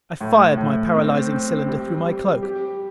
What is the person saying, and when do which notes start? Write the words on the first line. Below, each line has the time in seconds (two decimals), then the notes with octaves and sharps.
I fired my paralyzing cylinder through my cloak.
0.21 A2
0.57 A2
0.94 C4
1.32 C4
1.68 G3
2.06 G3
2.43 G4